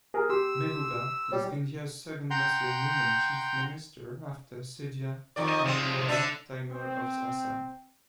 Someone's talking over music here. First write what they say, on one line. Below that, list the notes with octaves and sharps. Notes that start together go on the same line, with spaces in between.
Mehbooba is India's second Muslim woman chief minister after Syeda Anwara Taimur of Assam.
G#4 A#4
G4 C6 E6
G3 C#5
F#5 G5 A#5 C6 G6
F2 D#3 D5
D#5
F3 G#3 C4
D3 D4 E5
C4